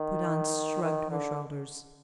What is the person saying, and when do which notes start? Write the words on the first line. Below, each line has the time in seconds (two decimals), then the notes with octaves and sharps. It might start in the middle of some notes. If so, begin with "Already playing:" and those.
Prudence shrugged her shoulders.
Already playing: D#3
0.83 D#3
1.11 D3